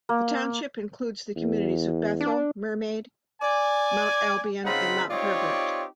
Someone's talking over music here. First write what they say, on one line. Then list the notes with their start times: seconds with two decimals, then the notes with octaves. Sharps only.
The township includes the communities of Bethel, Mermaid, Mount Albion and Mount Herbert.
0.09 A#3
1.36 E2
2.21 D4
3.42 D5 G#5
4.65 C#3 C4 D#4 F4 F#5 B5
5.11 C4 D#4 F4 G4 C#5 D5